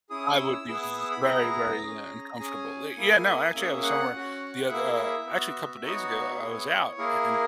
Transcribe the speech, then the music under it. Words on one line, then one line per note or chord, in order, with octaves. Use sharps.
I would be very, very uncomfortable. Li yeah, no, actually I was somewhere the other, uh actually a couple of days ago, I was out and
C#4 E4 G#4 D#6
E6
B3 E4 G#4 E6
E6
E6
B5
B3 E4 G#4 A#5
C#4 G#4
C#4 G#4 G#5
A#3 E4 G#4
A#3 C#4 G#4 E5
F#5
C#4
F#4
A#3 E4 G#4 E5
B3 F#4
B3 D#4 F#4 C#5
B3 E4 G#4
A#3 E4 G#4 A#4